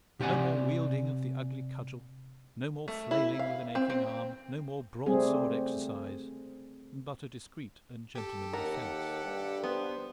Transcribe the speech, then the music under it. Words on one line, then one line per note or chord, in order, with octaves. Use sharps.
No more wielding of the ugly cudgel; no more flailing with an aching arm; no more broadsword exercise, but a discreet and gentlemanly fence.
C3 G4 D5 F#5 G#5
A3
E4
F5
C4
C4
C#3 G3 A3 C4 G#4
G4 A4
D#2 A#4 F#5
G2
B3 C5